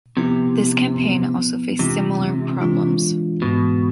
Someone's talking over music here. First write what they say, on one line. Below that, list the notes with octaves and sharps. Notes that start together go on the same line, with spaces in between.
This campaign also faced similar problems.
C3 F3 B3 E4
F3 B3 E4
C3 E3 G#3 D4 F4
E3 G#3 D4 F4
G#2 B2 E3 G#3